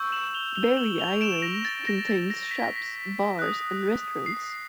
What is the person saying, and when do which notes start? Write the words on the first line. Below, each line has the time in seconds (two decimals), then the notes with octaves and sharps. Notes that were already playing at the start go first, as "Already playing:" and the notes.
Barry Island contains shops, bars and restaurants.
Already playing: C#6 E6 G6
0.12 E7 F#7
0.34 F7 G7
0.55 F7 G7
0.77 E7 F#7
0.99 F7 G7
1.21 D7 E7
1.42 A#6
1.65 A6
1.87 A#6
2.08 A6
2.30 A#6
2.51 B6
2.64 A#6
2.76 B6
3.39 D#6 F#6
4.26 C7